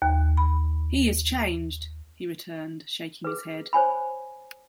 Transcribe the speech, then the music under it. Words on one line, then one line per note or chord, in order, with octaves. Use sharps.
"He is changed," he returned, shaking his head.
D#2
B5
G#4 B4
C5 C#5 G#5 B5